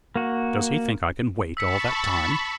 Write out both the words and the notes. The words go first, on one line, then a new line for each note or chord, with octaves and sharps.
"Does he think I can wait all that time?"
A#3 F#4
A5 B5 C#6 E6 B6 C#7